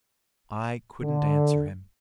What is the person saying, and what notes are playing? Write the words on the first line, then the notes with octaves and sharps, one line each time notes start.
I couldn't answer him.
D3